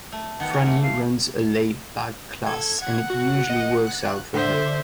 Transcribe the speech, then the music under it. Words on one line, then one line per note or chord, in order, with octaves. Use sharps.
Franny runs a laid back class and it usually works out for her.
A3
D#3 B3 F#5
A#4
E3 A3
F5
A4 G#6
F#5
F#4
D#5
F#6
D3 C5 E5